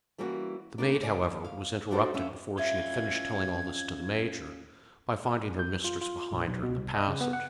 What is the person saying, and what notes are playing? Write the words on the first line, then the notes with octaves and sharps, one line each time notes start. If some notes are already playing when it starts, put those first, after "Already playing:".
The maid, however, was interrupted before she had finished telling all this to the major, by finding her mistress behind her in the passage.
E3 G3 A#3 C#4 F#4
G3 A3 A#3 D4
D2 C#5 D5 G#5
F5
D4 D#4 F4 F#4 A4 C5
B3 C#4 E5 F5
C#4 F4 B4 E5 F5 G#6
G6
F4
F4
A#1
B1
B2
C2
D#5
C#3
B3
F#5